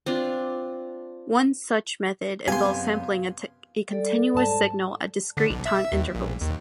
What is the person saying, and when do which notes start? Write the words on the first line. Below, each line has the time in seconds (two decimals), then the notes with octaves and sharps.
One such method involves sampling a continuous signal at discrete time intervals.
0.06 C4 D4 F4
2.48 F#2 C3 B3 G4 F5 G#5 C6
3.89 G3 A4 D5
4.34 G#2 A5
5.37 D3
5.50 B1
5.66 E5
5.92 D#2
6.15 A#1
6.41 D#2